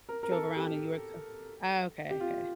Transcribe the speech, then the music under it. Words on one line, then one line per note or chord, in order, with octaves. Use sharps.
drove around and you were co Oh, okay, okay.
A#4
A#4
A4
G4
G4
F4